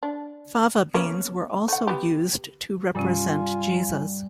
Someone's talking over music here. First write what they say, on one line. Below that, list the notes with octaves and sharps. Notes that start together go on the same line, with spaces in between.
Fava beans were also used to represent Jesus.
D4
A#3 B3 C#4
A3 F#5
B3 G4
G2 C3 G3 C#4 F4 G#5